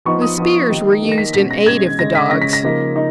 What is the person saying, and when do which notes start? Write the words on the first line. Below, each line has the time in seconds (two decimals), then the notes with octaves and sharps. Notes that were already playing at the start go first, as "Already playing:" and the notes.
The spears were used in aid of the dogs.
0.05 F3 B3 D#4 C#6
0.22 D#6
0.38 F3 B3 D#4
0.70 D#3 A#3 D#4
1.03 D#3 A#3 D#4
1.12 A#6
1.18 B6
1.34 B2 G#3 C#4 B6
1.51 A#6
1.66 B2 G#3 C#4 G#6
1.99 C#3 G#3 C#4 A#6
2.15 B6
2.31 C#3 G#3 C#4 A#6
2.42 B6
2.53 A#6
2.63 C#3 F3 A#3 D#4
2.96 D#4